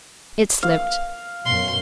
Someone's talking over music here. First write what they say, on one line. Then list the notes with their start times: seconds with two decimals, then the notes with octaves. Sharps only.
'It slipped.
0.63 F5
1.45 F#2 B2 C6